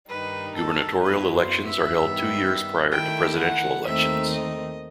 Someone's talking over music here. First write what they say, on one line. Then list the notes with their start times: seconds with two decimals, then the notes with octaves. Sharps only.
Gubernatorial elections are held two years prior to presidential elections.
0.09 G2 D#3 G3 D#4 B4
0.56 A4
1.03 F#2 F#3 B3 E4 B4
1.35 C5
1.66 E5
1.97 G2 D#3 G3 B3
2.91 D#3 A3 E4 G5
3.38 F#5
3.85 D#2 D#3 A3 C4 D#4 E5
4.33 D#5